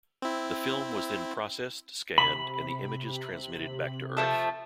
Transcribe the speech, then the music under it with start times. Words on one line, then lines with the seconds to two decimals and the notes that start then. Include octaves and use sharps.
The film was then processed, scanned, and the images transmitted back to Earth.
0.22 C4 E4
2.18 C3 B5
4.17 F3 A3 A4